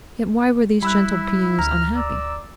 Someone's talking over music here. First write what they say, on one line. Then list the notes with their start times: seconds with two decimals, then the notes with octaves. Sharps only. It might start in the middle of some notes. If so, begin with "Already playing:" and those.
Yet why were these gentle beings unhappy?
0.83 G3 E4 B5 E6 F#6
1.59 D2 A#5 F6
1.96 D5 E6